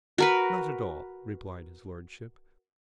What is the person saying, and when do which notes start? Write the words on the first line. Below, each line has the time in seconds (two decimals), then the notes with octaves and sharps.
"Not at all," replied his lordship.
0.18 F#4 A#4 B4